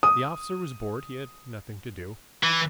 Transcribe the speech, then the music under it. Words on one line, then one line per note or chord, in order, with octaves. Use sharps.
The officer was bored, he had nothing to do.
D#6
E3